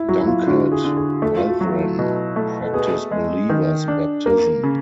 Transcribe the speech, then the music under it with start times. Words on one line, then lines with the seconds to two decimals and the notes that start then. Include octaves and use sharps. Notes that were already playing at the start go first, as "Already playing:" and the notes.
Dunkard Brethren practice believer's baptism.
Already playing: E4
0.09 F#3 F#4
0.21 E4
0.27 F4
0.47 D3 F#4
0.72 G#4
0.84 D3
0.97 G#4
1.22 A3 A4
1.37 F4
1.47 F#4
1.61 F#3 F4
1.73 E4
1.99 B2
2.36 A3
2.64 A4
2.74 B3 G#4
3.11 G#3
3.50 D#3
3.88 D4
4.26 A#3 A#4
4.63 C#3